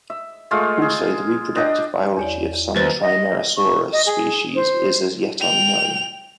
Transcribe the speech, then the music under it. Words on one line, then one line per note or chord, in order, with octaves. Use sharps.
Also, the reproductive biology of some "Trimeresurus" species is as yet unknown.
E5
G#3 A3 F4 F5
G#4
D4 D#5 G5
E2 C#5 D5
D#2 B4 C5 A6
D#5
C#6
D#5
G#4
C5
G5 F7